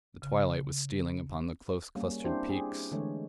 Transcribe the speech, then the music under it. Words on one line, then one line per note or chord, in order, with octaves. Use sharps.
The twilight was stealing upon the close-clustered peaks.
C#3
G3 A#3 C#4 G#4
C4 D4 E4 G4 C5
D4 G4 G#4
D3 E3 G#3 A3 G#4 C#5